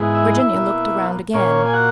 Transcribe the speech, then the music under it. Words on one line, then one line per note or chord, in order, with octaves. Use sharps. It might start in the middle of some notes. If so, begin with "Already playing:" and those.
Virginia looked around again.
Already playing: G#2 E3 G#3 B3
E5
D#5
E4 E5
B2 A#3
A#2 A#3 C#4 C#5
G#5
F#4 F#5